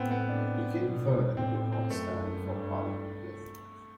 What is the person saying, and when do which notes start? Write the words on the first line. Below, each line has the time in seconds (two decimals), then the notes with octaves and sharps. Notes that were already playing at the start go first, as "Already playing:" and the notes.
He came third and did not stand for parliament again.
Already playing: A2 B3 C4
0.11 B3
0.29 D4
0.83 B2
1.37 A2 C4
1.55 C4
1.72 C4
1.90 F#2 A3
2.45 G2